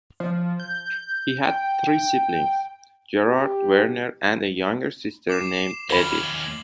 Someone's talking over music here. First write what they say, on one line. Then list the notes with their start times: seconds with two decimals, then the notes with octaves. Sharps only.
He had three siblings: Gerhard, Werner and a younger sister named Edith.
0.20 F3
0.60 G6
1.45 G5
3.27 G4
5.29 D6 C7 E7
5.90 D#2 F#3 C#4 B5 F#7 G7